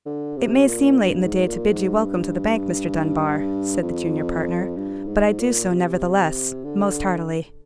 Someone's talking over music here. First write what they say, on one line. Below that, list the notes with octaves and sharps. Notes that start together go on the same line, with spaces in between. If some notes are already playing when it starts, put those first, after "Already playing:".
"It may seem late in the day to bid you welcome to the bank, Mr. Dunbar," said the junior partner, "but I do so, nevertheless--most heartily!"
D3
C3
A#2
G2
G#2
A#2
G#2
G2
F2
G2
G#2
A#2
C3
D3